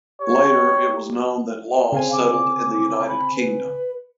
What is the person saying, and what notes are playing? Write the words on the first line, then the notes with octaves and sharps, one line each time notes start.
Later it was known that Law settled in the United Kingdom.
G4 C#5
C#3 C4 F5 G#5
D6
B5
B4